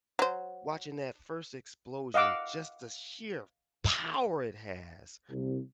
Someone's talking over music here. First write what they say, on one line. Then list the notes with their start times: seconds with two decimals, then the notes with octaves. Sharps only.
watching that first explosion, just the sheer power it has,
0.19 F#3 C5
2.14 D#5 F5 F#5 D6 E6
5.29 C2